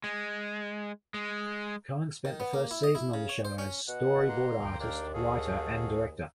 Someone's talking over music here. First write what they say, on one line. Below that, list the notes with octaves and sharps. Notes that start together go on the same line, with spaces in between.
Cohen spent the first season on the show as storyboard artist, writer, and director.
G#3
G#3
D#3
B3
A#3
E4
D#5
E4
C#3
C#5
C5
C#4
B2 F#5
A#3 A#5 C6
D2 G5
D#2 D4 A#4 F5 G5
F#4 G#4 A4 F5